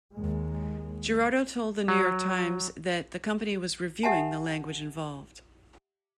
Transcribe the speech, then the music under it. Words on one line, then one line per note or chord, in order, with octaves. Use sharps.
Girardo told the "New York Times" that the company was "reviewing" the language involved.
D#2 G#3
F#3
G4 E5 F#5 G#5 A5